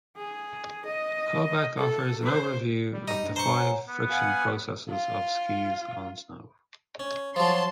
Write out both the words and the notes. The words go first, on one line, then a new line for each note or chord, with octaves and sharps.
Colbeck offers an overview of the five friction processes of skis on snow.
G#4
D#5
A4
C5
G3
D#4
G2
C5 A5 A#5 C#6 G6
C#5 F#5 G#5
B3
F5 F#5 G#5
F4
C#4
F3 F#3 A5 C6